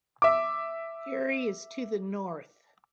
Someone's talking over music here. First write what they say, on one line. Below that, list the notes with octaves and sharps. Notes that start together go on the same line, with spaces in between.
Erie is to the north.
E5 D6